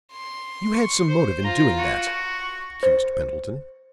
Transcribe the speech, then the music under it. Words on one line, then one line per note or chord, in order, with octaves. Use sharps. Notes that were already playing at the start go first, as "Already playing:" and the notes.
"You had some motive in doing that," accused Pendleton.
C6
C#6
C5
F4 A#5
F#4
C#6
C5